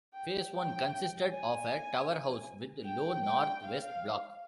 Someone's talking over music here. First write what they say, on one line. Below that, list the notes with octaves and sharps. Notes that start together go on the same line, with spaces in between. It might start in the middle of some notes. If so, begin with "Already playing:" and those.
Phase One consisted of a tower house with low north-west block.
G5
G5
G#5
G5
G5
F5